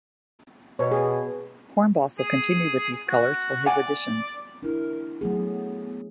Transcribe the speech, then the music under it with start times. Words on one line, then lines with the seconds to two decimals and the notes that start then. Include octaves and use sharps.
Hornbostel continued with these colors for his additions.
0.79 B2 C#5
0.92 G#4
2.19 G#4
3.09 F#4
3.66 D5 F#5 G#5
4.63 D4 E4 A#4
5.21 F#3 A3 B3 G#4